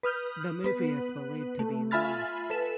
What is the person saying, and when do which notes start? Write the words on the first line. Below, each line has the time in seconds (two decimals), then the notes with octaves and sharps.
The movie is believed to be lost.
0.03 B4 D#6 F6 G6
0.64 B3 B4
1.59 A3
1.91 F4 E5 G#5 B5 F6 A6
2.50 A4 B4 E7